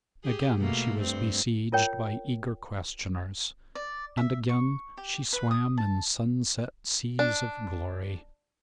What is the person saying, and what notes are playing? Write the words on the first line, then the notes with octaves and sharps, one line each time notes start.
Again she was besieged by eager questioners, and again she swam in sunset seas of glory.
G4 G#4
B2 A3 A#3
G2 C4
F4 A#4 C#5 G5
D5
E5
C#6
G4
B4
D#6
A5
D4